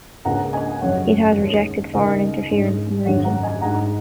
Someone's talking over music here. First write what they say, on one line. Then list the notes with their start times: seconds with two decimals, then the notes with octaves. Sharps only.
It has rejected foreign interference in the region.
0.25 C#2 C#3 A#3 C#4 F#5 A#5
0.53 D#5 G#5
0.81 F#1 F#2 F#3 C#4 C#5 F#5
1.38 D#2 D#3 G#3 C#4
1.94 C#2 C#3 G#3 D#4 A#4 D#5
2.50 G#2 G#3 C#4
3.05 G#1 F#2 C#3 F#3 C#5 F#5
3.24 F#5 A#5
3.43 D#5 G#5
3.61 G#2 G#3 D#4 F#5 A#5